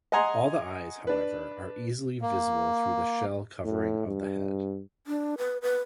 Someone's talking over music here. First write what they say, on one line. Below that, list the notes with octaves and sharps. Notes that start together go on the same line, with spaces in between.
All the eyes, however, are easily visible through the shell covering of the head.
D#5 F#5 G#5 A#5 C6
D4 B4
A#3
A2
G2
D4
B4
B4